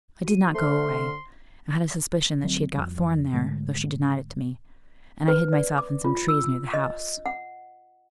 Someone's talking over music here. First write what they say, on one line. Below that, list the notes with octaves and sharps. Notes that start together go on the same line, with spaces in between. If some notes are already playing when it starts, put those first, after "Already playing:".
I did not go away; I had a suspicion that she had got Thorn there, though she denied it to me; and I hid myself in some trees near the house.
F#4 D#7
D3 A3 C5 C6 F6
D2 F#3 A#3 C4
F2 G3
G#2 D3 G#3 A3
B4
D5
D6
F4
E6
D#5
F#5